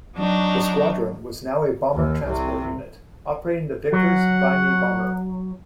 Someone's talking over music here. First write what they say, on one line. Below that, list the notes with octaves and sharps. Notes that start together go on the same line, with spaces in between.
The squadron was now a bomber-transport unit operating the Vickers Vimy bomber.
F#3 D4 D#4
D#2
C2 C3
F#3 F#5